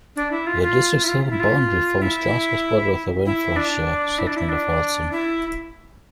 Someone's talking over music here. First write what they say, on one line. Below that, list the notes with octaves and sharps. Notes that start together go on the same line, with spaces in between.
The district's southern boundary forms Glasgow's border with the Renfrewshire settlement of Ralston.
D4
E4
F4
F4
E4
F4
E4
F4
E4
E4
D4
E4
D4
E4
D4
E4